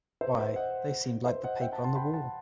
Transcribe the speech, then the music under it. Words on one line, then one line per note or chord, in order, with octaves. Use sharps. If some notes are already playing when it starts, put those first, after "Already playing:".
Why, they seemed like the paper on the wall.
C5 E5
C5 E5
D#5 F#5
C5 E5
D#5 F#5
E5 G5
F#5 A5
A5 C6
G5 B5
F#5 A5